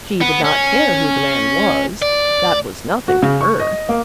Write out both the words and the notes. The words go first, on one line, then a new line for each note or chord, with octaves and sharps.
She did not care who the man was; that was nothing to her.
B3
C#4
D5
F#4
C#3
C#6
D#5
A#3